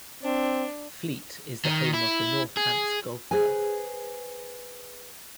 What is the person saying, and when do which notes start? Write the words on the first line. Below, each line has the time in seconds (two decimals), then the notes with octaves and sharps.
Fleet is the home of the North Hants Golf Club.
0.23 C4 D4
1.65 D#3
1.93 E4
2.57 G#4
3.31 G#4 B4 C5 G#5